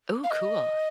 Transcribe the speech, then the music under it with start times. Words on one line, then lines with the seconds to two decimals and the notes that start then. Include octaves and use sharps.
Ooh, cool.
0.23 F5
0.30 D#5